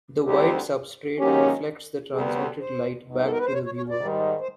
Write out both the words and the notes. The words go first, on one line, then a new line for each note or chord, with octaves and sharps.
The white substrate reflects the transmitted light back to the viewer.
D2 D3 G3 C4 D#4 G4
G#2 D#3 F#3 A#3 C#4 G4
D2 D3 G3 B3 G#4
C#5
C5
B2 G3 B3 D#4
A4
A#4
B4
C5
C#5
C#5
C#5
D5
G#2 D#3 G3
C5